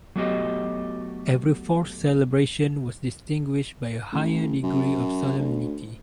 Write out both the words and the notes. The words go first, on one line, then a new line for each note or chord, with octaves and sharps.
Every fourth celebration was distinguished by a higher degree of solemnity.
F#3 A3 B3 F#4 G4 D#5
A1
F#2
D2